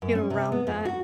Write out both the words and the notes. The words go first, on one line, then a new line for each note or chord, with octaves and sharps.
get around that.
F#2
C#4
C3
B3
F2
F#4